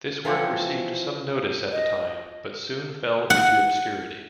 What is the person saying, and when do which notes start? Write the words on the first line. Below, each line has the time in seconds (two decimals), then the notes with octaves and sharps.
This work received some notice at the time, but soon fell into obscurity.
0.25 E3 F3 C4 C#5
1.72 D#5
3.30 F#5